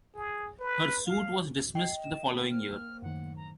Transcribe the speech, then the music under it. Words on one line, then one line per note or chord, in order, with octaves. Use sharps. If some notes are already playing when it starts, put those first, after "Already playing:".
Her suit was dismissed the following year.
G#4
B4
F5
D#5 G5 C7
E7
A#3 C5 B5
F6
F#2 A2 D#3 F#5
A#5